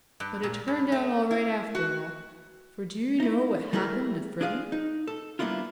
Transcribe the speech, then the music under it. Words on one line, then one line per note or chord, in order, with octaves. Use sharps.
"But it turned out all right after all, for do you know what happened to Freddy?"
G2
A#2
G2
A3
E4
F#4
D#4 E4
G3 A3 E4 G#4 A#4
D4 F4 G#4 F5
D#4
A4
G3 A#3 B3 D4 E4 F4